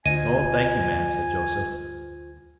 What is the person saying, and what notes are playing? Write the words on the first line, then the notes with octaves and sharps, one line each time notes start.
"No, thank you, ma'am," said Joseph.
D2 F4 C5 D#5 G#5 D#7